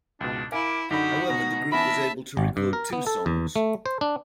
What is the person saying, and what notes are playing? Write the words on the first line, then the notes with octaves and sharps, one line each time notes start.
However, the group was able to record two songs.
C#2 G#2 B2 D4
E4 A#4 F5 G#5 D6
F#2 D3 D#4 F#4 G4 B5
B2 B3 A#5
E3 B3 A#4 E5 G#5 A5 B5
G#1
G2
A#4
B3
A4
E2
A3
C5
D4